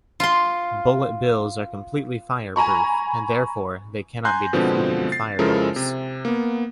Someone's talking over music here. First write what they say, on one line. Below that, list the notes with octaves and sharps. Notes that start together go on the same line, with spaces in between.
Bullet Bills are completely fireproof, and therefore, they cannot be defeated with fireballs.
F4 C6
G#5 A#5 B5 C#6
G#5 A#5 C6 F#6 G6
B2 D3 F3 G#3 B3 C4
A6 C7
C#3 F3 G#3 E4 A4 A#4
C3
A#3 B3